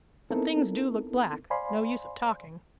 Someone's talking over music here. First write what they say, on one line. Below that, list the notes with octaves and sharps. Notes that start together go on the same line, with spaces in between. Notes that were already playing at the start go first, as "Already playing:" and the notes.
But things do look black, no use of talking.
B3 C4 D#4 E4 A4 A#4
C5 D5 F5 G#5 B5 C6